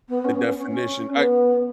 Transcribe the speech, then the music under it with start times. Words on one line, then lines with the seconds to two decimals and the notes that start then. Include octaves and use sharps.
the definition I
0.09 B3
0.25 C#4
0.35 B3
0.47 C#4
0.58 C#4
0.69 C#4
1.14 B3